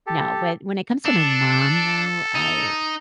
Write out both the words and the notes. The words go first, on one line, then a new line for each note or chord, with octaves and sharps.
now when when it comes to my mom though, I
G4 A4
D4 A4
D#4